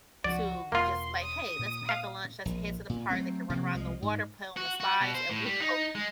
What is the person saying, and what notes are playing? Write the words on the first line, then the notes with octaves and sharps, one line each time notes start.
to just like, "Hey. Let's pack a lunch. Let's head to the park." They can run around the water, play on the slides, and we don't
C#2 F3 F#4 D5
E1 A#3 F4 C6
D#6 D#7
A#2
F5
A#1
A#2
F#3 G3 A3 C4
C3 F3 A#3
C2 F3 G#3
G#2
F#4
F#4
B2
C5
A2
G3
D#4
G#3